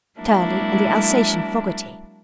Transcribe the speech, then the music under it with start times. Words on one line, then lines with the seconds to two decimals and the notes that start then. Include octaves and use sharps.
Turley, and the Alsatian Foggerty.
0.20 F#3 G#3 A#3 D4 E4